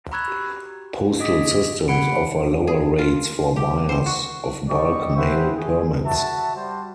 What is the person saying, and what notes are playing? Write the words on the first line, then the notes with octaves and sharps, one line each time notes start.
Postal systems offer lower rates for buyers of bulk mail permits.
A#5 B5 C#6 E6 F#6 G#6
F#4 G4
F#4 G#4 D#5 D6 D#6 B6
A#3 G4 F#5 B5 C#7 D7
G#4
F4
G4
C5
F#4
G3 G4 D5 D#5 C#6
G#4 B4 C5 E5 F#5 G5
G#4
F#4 E5 A5
G3 F#4 C5